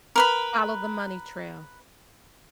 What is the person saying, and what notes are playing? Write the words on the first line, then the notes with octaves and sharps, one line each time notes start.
Follow the money trail.
A#4 B4 B5